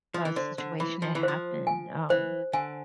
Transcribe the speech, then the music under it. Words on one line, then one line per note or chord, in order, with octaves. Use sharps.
uh, situation that happened, um,
F3
E3
D3 C5
D3
E3 B5
F3
E3
F3 C5
G#5
E3 C5
D3 G#5